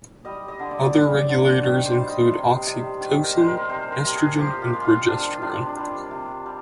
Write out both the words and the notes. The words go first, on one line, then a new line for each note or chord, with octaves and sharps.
Other regulators include oxytocin, estrogen and progesterone.
G3 D#5
D#5
D3
D5
G3
D3
D#3 D5
C5
G3
D#5
C3
C3
D#3
A#4
G#3 C5
A#4
C3 C5
A#4
C3
G#4
F3 G4
F4
G#3
F4
C3 D4
C3 D4
G3
C3
G3